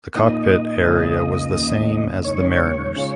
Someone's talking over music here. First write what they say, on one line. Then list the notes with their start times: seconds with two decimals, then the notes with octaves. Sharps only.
The cockpit area was the same as the Mariner's.
0.15 A#2 A#3 D#4 D#5
0.85 C#2 C#3 A#3 C#4
1.56 D#2 C#3 A#3
2.25 C#3 G#3 D#4 C#5
2.96 C#3 G#3 F4